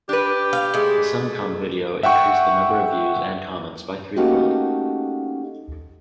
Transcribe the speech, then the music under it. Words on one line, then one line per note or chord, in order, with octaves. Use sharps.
The Sengkang video increased the number of views and comments by threefold.
D4 G4 B4
F5
G#3 A3
E5 F#5 G5 C#6
A3 A#3 C#4 D#4 F#4 G4